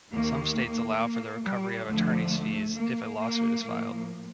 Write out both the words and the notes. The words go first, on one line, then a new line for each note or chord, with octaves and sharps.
Some states allow for the recovery of attorney fees if a lawsuit is filed.
D#2 D#3 A#3
A#3
G3
D2 D3 F3 A3
A#3
A#3
A2 F3 A#3